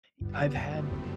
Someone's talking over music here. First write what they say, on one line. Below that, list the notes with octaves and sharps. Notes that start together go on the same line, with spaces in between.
Y I've had
G1 G3 B3
G2
G1 A3 C4
F#3
F#1